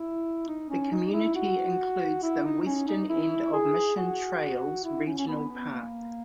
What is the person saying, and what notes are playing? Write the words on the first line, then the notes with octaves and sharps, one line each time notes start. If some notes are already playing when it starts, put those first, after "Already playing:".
The community includes the western end of Mission Trails Regional Park.
Already playing: E4
D#4
C#4
D#4
E4
F#4
E4
D#4
D#4
C#4
D#4
E4
G#4
F#4
E4
C#4
C#4
B3
B3
A#3